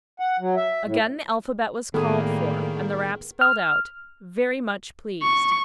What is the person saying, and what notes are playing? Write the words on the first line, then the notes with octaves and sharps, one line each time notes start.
Again the alphabet was called for, and the raps spelled out, "Very much pleased."
F#5
F#3
E5
A2
A2 D#3 G3 A#3 B3 G#4 A4
F6
C#6